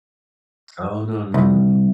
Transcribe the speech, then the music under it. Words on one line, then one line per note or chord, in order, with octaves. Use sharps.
Oh, no, no, no, no.
C2